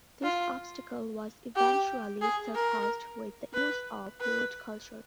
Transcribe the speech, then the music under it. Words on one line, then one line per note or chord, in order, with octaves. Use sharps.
This obstacle was eventually surpassed with the use of root cultures.
F4
G4
G#4
A#4
B4
B4